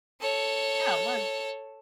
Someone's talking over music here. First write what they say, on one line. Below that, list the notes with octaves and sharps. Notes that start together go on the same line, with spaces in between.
Yeah, it was.
A4 C#5